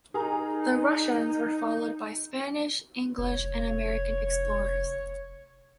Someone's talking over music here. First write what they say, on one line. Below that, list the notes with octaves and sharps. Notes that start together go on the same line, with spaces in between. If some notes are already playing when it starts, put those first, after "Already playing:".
The Russians were followed by Spanish, English, and American explorers.
D#4 G#4 A#4 A#5
F1 C#5